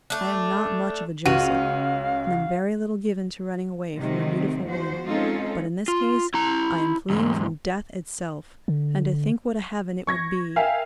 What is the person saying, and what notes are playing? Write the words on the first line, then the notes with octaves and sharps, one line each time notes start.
I am not much of a Joseph, and am very little given to running away from a beautiful woman, but in this case I am fleeing from death itself. And to think what a heaven it would be.
A3 D4
C#2 C#4 F#4 F5 D#7
C3 D#3 F#3 G#3 A3 C4
E2 F3 F#4 C5
G#3 C4 C#4 D#4 F4 A4
F4
E4 A#5
E2 G#2
D3
C#6 G#6 A#6
A#4 E5 F5 G5 G#5